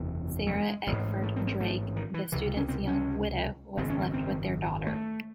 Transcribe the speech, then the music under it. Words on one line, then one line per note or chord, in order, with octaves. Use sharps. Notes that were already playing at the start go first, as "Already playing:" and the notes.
Sarah Eckford Drake, the student's young widow, was left with their daughter.
Already playing: F#1 E2 C3
F#3
G#3
A1
G#2
A3
C4
C4
A3
D#3
E3
C#2 C3 E3
C#4
C4
C#4
G#1 F#2 C#3 C4
C#4
C4
C4
A3